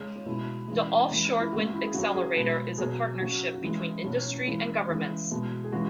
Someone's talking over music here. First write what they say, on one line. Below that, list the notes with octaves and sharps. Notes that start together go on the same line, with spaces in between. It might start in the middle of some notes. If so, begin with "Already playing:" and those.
The Offshore Wind Accelerator is a partnership between industry and governments.
Already playing: C#3 G#3 C#4
C#4
B2 G#3 E4
C#3 E3 G#3
C#3 E3 G#3
E4
C#3 G#3 F#4
E4
G#4
C#3 F#3 F#4
G#4
B2 G#3 B4
B2 F#3 G#4
C#3 F#3 F#4
F#4
C#3 E3 G#3 E4
B2 F#3 C#4
C#4
C#4
C#3 E3 G#3 E4
C#3 E3 G#3
B2 G#3
G#4
C#3 E3 G#3 F#4